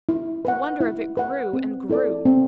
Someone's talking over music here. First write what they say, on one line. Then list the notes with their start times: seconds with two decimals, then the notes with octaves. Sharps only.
The wonder of it grew--and grew.
0.09 E4
0.45 B4 F#5
0.80 E4
1.17 B4 F#5
1.53 C4
1.90 E4 A4 D5
2.25 C4